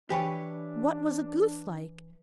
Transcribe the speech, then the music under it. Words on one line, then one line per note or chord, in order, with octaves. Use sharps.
'What was a goose like?'
E3 D4 G4 B4 C#5 G#5